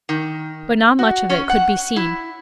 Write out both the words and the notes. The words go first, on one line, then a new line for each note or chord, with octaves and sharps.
But not much of it could be seen.
D#3
F#4
C#4
F#5
E4